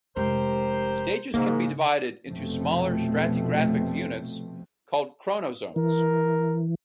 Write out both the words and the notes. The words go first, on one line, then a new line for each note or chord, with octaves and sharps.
Stages can be divided into smaller stratigraphic units called chronozones.
F1 G#3 G4 A#4 C5
G#2 C#3 A#3
F1 B2 F3 A3 C4
E3 A#4